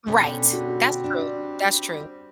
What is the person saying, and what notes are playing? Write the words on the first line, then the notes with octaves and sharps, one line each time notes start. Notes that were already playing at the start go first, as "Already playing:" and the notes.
Right, that's true, that's true,
B2 D3 G3 C4 C#4 G4
F#4
D4